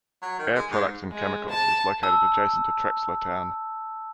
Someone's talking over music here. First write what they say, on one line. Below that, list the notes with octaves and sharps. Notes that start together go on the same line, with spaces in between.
Air Products and Chemicals is located adjacent to Trexlertown.
F#3
D#3
G#3
G#2
G#3
A5
A5 E6